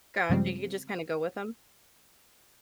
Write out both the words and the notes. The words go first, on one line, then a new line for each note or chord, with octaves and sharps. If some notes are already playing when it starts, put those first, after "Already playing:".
Gotcha. You just kinda go with them?
G2 C#3 F3 G3 G#3 C4